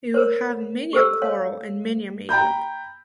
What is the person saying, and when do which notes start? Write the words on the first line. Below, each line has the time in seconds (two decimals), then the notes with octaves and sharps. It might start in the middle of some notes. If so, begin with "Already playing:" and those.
You will have many a quarrel and many a makeup.
0.14 A#4 C5 C#5
0.93 G4 A4 C5 E6
1.22 C#5 F5
2.29 G5 A#5 B5 G6